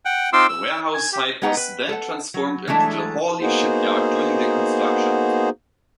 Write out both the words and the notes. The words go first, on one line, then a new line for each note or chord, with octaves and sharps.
The warehouse site was then transformed into the Hawley Shipyard during the construction.
F#5 G5
C4 D#4 F4 C6 D6 E6
E6
G#5
G4
G#3 B3 D#4 F#5 G5 A#5
B4
A4 F#5
F#3
E3 F#3 G#3 A3 D4
A#3 B3 D#4 F#4 G#4 C5